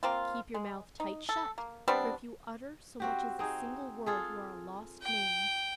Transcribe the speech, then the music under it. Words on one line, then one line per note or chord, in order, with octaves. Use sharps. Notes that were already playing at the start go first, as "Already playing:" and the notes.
Keep your mouth tight shut, for if you utter so much as a single word you are a lost man.
A#3 C4 F4
G#3
D#4
A4
A#3
G3 B3 C4 D4
C4 F#4 G4
C4 D#4 G#4
F4 G#4 A4
G5